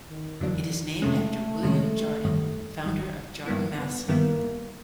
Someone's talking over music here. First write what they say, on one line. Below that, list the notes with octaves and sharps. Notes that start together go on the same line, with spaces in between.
It is named after William Jardine, founder of Jardine Matheson.
D#3
F2 D3 E3 F#3 A#3 D4
F2 C3 D#3 G#3 A3 C#4
F2 C3 D#3 G#3 C#4
G#1 F#2 D#3 G3
G#1 F#2 D#3 G3
G2 D#3 G3 A#3 B3 E4
B3
G2 D#3 G3 A#3 B3 E4